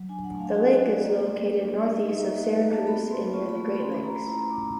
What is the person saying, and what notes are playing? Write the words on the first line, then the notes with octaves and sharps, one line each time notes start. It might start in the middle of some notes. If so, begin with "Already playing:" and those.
The lake is located northeast of Syracuse and near the Great Lakes.
Already playing: F#3
D4 G#5
F#5
A3
F5
F#4 F5
D#5
A3 D5
D5
A#3
G3
D4
G3
E5
D#4 D#5
E5
A#3
E5
F#4 F5
A#3
A5
C4 B5
A3 C6
F4 C#6
B5
A3
B5
C#4 C6
B5
A3 A#5
B5
E4 A#5
C6
A3 D6